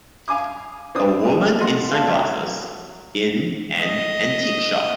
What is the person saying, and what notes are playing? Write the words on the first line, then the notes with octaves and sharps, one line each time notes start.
A woman in sunglasses in an antique shop.
F5 G#5 D6 D#6
C4 D4 D#6
D#5 F#5 C6
D5 E5 F5 A5
F#3
D#5